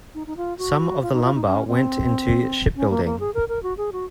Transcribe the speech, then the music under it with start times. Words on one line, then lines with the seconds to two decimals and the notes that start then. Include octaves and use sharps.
Some of the lumber went into shipbuilding.
0.15 D#4
0.27 D#4
0.37 F4
0.58 F#4
1.02 F4
1.13 D#4
1.24 F4
1.35 D#4
1.45 C#4
1.67 C4
2.76 C#4
2.90 A#3
3.05 A#3
3.20 G#4
3.34 A#4
3.49 A#4
3.63 F#4
3.77 G#4
3.92 F#4